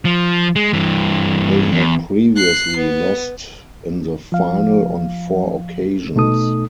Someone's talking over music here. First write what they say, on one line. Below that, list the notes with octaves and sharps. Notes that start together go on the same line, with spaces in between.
They had previously lost in the final on four occasions.
F3
G#3
G2 E3
E2
F#6 C7
B3
F3 F5
B2 A3 D#4 A4 D#6